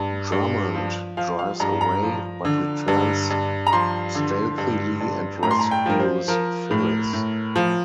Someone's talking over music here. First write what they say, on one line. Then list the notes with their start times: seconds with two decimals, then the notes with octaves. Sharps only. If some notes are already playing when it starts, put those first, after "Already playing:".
Drummond drives away, but returns stealthily and rescues Phyllis.
Already playing: G2
0.32 G2
0.75 F3
1.17 F3 F5
1.39 F5
1.60 G2 A#5
1.81 A#5
2.03 F3
2.45 D3
2.88 G2
3.30 G2
3.67 A#5
3.73 F3 C6
4.15 D3
4.58 G2
5.00 G2
5.43 A2 A#5
5.51 C6
5.59 A#5
5.71 G5
5.86 F3 A#4
6.00 C5
6.28 F3 A#4
6.71 A2
7.13 A2
7.56 F3